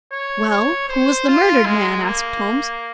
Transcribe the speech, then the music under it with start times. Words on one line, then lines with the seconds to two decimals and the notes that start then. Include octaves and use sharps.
"Well, who was the murdered man?" asked Holmes.
0.11 C#5
0.49 C#5
0.89 C5
1.27 F4
1.66 G#3
2.04 A#3